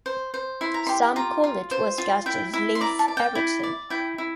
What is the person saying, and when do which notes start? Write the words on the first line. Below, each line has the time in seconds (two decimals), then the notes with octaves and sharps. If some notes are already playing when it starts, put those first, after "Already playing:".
Sam Corlett was cast as Leif Eriksson.
0.06 C5
0.34 C5
0.61 E4 C6
0.74 A#5
0.87 G4 C6
1.16 F4 A#5
1.44 F4
1.71 C5
1.98 F4
2.26 E4 G5
2.53 E4
2.75 C6
2.81 D5 A#5
2.99 A5
3.08 D5
3.17 G5
3.35 E4
3.63 D5
3.90 E4 G5
4.18 E4